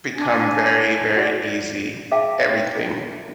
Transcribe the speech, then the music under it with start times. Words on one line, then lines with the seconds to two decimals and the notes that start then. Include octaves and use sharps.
become very, very easy. Everything.
0.16 D4 G#5
1.16 F#4 D5
2.11 G#4 E5 F5 G5 A5